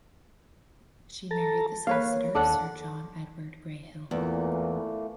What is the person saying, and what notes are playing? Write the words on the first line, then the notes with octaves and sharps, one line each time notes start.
She married the solicitor Sir John Edward Gray Hill.
A4 A5 A#5
A#3 B4 C#5 F5
D#2 D4 A4 F#5
E2 A#2 E3 A3 A#3